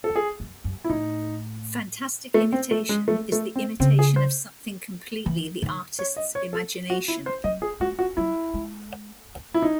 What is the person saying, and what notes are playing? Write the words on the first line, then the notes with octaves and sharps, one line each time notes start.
Phantastic imitation is the imitation of something completely the artist's imagination.
A4
G#4
F#2
F#2
E4
A2 D#4
A3
C4
A3
G#3
A3
A3
C4
C#3 C4
G#4
C5
E3
D#3
C#5
D#5
C#5
A4
F#4
E4
C5
F#3 D#5
G#4
G#3 F#4
F#4
F#3 E4
G#3
E4
D#4